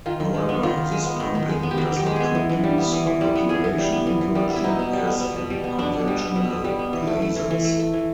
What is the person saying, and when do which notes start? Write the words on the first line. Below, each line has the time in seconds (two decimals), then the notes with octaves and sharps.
However, this pumping does not produce a population inversion as in conventional lasers.
0.06 D#3 F4
0.20 D#3
0.34 G#3
0.49 B3
0.63 D#3 F4
0.77 D#3
0.92 G#3
1.06 B3
1.20 D#3
1.35 D#3
1.49 G#3
1.63 B3
1.71 G4
1.77 D#3 F#4
1.92 D#3 G4
2.06 G#3
2.16 B3 G#4
2.35 E3
2.49 E3
2.64 G3
2.78 B3
2.92 E3
3.07 E3
3.21 G3
3.35 B3
3.49 E3 G#4
3.64 E3
3.78 G3
3.92 B3
4.07 E3
4.21 E3
4.35 G3
4.50 B3
4.56 E4
4.64 B2 D#4
4.79 B2
4.93 G3
5.07 B3
5.21 B2
5.36 B2
5.50 G3
5.64 B3
5.79 B2 D4
5.93 B2
6.07 G3
6.21 B3
6.36 B2
6.50 B2
6.64 G3
6.79 B3
6.93 E3
7.07 A3
7.22 A3
7.36 E3
7.51 E3
7.65 A3
7.79 A3
7.93 E3